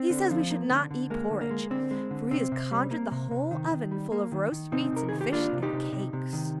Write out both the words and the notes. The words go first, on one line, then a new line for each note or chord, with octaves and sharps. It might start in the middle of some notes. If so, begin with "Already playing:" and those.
'He says we should not eat porridge, for he has conjured the whole oven full of roast meats and fish and cakes.'
Already playing: C4
D3
F3
A#3
D3
D3
G#3 A#3
D3
A#3
G#3
D3 C4
G#3
D3
C3 C4
C3
G3
A#3
C3
C3
D#3
D#3
G3
A#3
D#3
D#3
C3 C4 D#4
C3 A#4
D#3 G#4
G4
A#3 D4 F4
C3
D#4 G4
C3
C3
C3
D#3